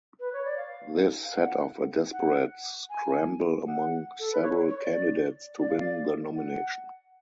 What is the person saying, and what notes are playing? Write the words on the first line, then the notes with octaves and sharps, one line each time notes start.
This set off a desperate scramble among several candidates to win the nomination.
B4
C#5
D5
F5
F5
F#5
F#5
G#5
F#5
A4
B4
C#5
C#5
D5
D5
F5
D5
F#5